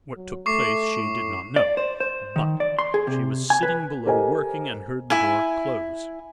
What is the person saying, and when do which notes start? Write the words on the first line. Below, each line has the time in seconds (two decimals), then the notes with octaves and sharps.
What took place she did not know, but she was sitting below working, and heard the door close.
0.17 F#3
0.46 A3 C#6 D6 C7
1.03 A2
1.56 D5
1.77 C5
2.00 C5
2.36 D#3
2.60 D5
2.79 C6
2.94 G#4
3.07 C3
3.50 G#5
3.63 B4
4.06 G4 A4 A#4 C5 D#5 G#5
5.10 E4 G#5